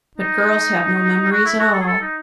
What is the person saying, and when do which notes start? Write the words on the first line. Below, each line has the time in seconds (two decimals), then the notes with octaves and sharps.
But girls have no memories at all!
0.18 D#4
1.31 F#4
1.45 E4
1.59 F#4
1.73 A4
1.80 G#4
1.87 A4
2.01 D#4